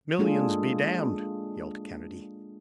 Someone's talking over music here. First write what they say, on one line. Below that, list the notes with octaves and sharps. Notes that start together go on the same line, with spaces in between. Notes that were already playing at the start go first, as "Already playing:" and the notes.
"Millions, be damned!" yelled Kennedy.
G#3 A#3 D4 F4 G#4 A4